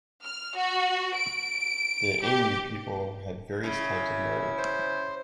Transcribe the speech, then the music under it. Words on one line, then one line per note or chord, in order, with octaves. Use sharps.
The Ainu people had various types of marriage.
F6
F#4
D7
G4
C#3 E4
C5